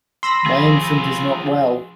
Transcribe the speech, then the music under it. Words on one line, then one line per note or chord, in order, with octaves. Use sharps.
My infant is not well.
B5 C6 E6 A#6
F3 F4 G#4